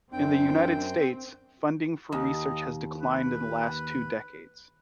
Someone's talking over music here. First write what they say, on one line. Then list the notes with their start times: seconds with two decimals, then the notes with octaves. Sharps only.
In the United States, funding for research has declined in the last two decades.
0.13 F#2 C4 D4 G5
2.12 D#2 D#5
3.02 B4